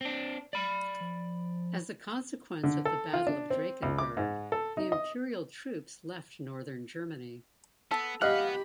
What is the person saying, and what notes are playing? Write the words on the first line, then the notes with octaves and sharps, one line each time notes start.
As a consequence of the Battle of Drakenburg, the Imperial troops left northern Germany.
C4 D4
D5 B5
F3
D3
A4
F4
D4
C4
C#2
D6
G#2
A4
D#4
D#5
B3 A4
B3 G4 D#5 F5 F#5 B5 F#6